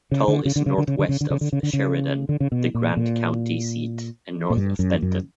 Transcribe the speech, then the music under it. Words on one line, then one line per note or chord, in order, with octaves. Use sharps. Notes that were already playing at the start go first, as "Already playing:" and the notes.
Tull is northwest of Sheridan, the Grant County seat, and south of Benton.
C#3
D3
C#3
D3
C#3
D3
C#3
D3
C#3
D3
C#3
D3
C#3
D3
C#3
D3
C#3
B2
A#2
A#2
A#2
G2
F#2
F#2